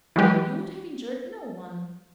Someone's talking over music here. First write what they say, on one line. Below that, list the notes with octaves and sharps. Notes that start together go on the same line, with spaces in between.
You would have injured no one.'
E3 F#3 G#3 G4 B4